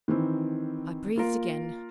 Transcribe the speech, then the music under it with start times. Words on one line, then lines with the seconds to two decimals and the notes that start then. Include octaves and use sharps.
I breathed again.
0.08 D#3 E3 C4
1.16 A#3 F4 A#4